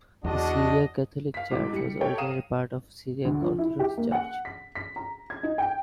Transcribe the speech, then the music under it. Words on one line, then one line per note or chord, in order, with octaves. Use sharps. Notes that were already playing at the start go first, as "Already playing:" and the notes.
The Syriac Catholic Church was originally part of the Syriac Orthodox Church.
E2 D4 F#4 D#5
F5 B6
A1 G#2 F#4 D6
G3 C#7
G4 A4 C#5 G5
F5 A#5 D#6 D#7 E7
D2
F3
E4
G4
A#3
F#5
B6
B6
A#5
G#6
D#4
G5